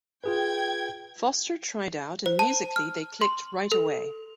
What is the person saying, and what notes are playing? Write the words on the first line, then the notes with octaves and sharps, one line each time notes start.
Foster tried out and musically they clicked right away.
F4 G#4 B4 G5 G#6
C5
A5
F6
C6
A4